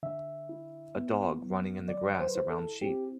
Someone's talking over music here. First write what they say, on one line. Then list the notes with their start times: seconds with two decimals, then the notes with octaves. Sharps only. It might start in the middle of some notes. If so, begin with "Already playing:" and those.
A dog running in the grass around sheep.
0.03 D3 E5
0.49 E4
0.95 B3
1.42 F#3
1.88 D3 D5
2.20 C5
2.28 B4
2.35 E4 C5
2.50 A4
2.82 C4 G4